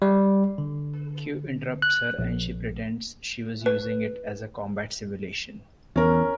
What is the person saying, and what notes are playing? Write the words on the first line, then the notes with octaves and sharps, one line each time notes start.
Q interrupts her, and she pretends she was using it as a combat simulation.
G3
D3
F#6
A#1
B4
E2 C#4 A#4